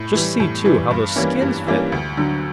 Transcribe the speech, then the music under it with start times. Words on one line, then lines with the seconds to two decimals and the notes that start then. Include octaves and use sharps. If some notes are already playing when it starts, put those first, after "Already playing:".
Just see, too, how those skins fit!
Already playing: A2
0.15 E3 G3
0.40 A2
0.65 E3 G3
0.91 G2
1.16 E3 G3 A#3 C#4
1.42 G2
1.67 E3 G3 A#3 C#4
1.92 D2
2.17 D3 F#3